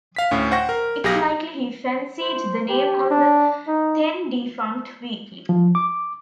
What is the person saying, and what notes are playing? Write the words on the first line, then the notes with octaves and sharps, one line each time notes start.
It's likely he fancied the name of the then-defunct weekly.
F5 B6
D2 A2 C#4
C5 F#5 G5 C#6 A#6
A#4
B1 G4 G#4 F5 A#6
C5
G4
D4
D#4
F3
D6